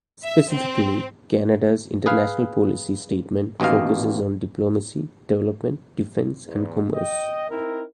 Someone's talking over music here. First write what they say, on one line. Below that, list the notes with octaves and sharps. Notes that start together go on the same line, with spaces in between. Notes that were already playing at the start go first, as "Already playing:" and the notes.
Specifically, Canada's International Policy Statement focuses on diplomacy, development, defense, and commerce.
E5
C4
G#4 B4 F5
A1 D#2 B2 D#5 F5
E2
D#5 G5
C4 D#4 E4 A#4